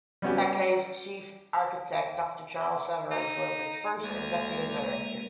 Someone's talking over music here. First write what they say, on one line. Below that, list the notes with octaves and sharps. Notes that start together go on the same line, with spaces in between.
Sakai's chief architect, Doctor Charles Severance, was its first Executive Director.
G3 B3 C#4 F#4 G4
D#4
D2 G#3 A#3